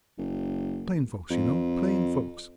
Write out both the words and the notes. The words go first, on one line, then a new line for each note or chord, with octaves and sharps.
Plain folks, you know--plain folks.
F#1
F2